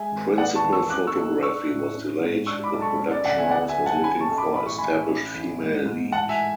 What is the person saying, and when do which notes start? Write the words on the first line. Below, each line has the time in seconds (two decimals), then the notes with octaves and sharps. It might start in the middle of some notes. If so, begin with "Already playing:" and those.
Principal photography was delayed the production house was looking for established female lead.
Already playing: G#3 E5 G#5
0.12 G#1
0.38 B3 D5 F#5
0.55 A5 C#6
0.64 E2
0.73 C#6 E6
0.90 C#4 D6 F#6
1.07 C#6 E6
1.16 B1
1.42 D4 C#6 E6
1.68 A2
1.94 C#4
2.21 G#2
2.46 D4 C#6 E6
2.64 B5 D6
2.73 B1
2.81 A5 C#6
2.99 C#4
3.11 D5
3.25 D2 D5 F#5
3.38 E5 G#5
3.51 B3 D5 F#5
3.69 E5 G#5
3.78 F#2
3.86 F#5 A5
4.04 C#4 G#5 B5
4.21 A5 C#6
4.29 B1
4.38 B5 D6
4.55 A1 B5
4.67 C#6
4.78 A1 G#5 B5
5.08 C#4
5.34 E2
5.60 G#2
5.86 G#2
6.12 A1 F#5 A5
6.29 E5 G#5